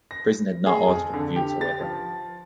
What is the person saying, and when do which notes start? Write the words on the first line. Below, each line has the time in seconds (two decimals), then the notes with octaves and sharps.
Prison had not altered her views, however.
0.11 A#6
0.66 G#4
0.88 F2
1.14 D3
1.36 G4
1.61 A6
1.81 F3